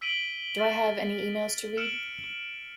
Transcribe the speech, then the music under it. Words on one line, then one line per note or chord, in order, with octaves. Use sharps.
Do I have any emails to read?
E6 B6 D7 D#7 F#7 G7
F6 A6 B6
E6 F6 C#7 D7 E7 F#7